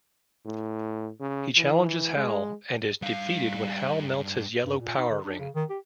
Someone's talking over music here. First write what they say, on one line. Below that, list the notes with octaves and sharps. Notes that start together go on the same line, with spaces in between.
He challenges Hal and is defeated when Hal melts his yellow power ring.
A2
C#3
E3
G#3
G2 F5
G2
A#2
D#4
D3
D4
C#3
D#3
G4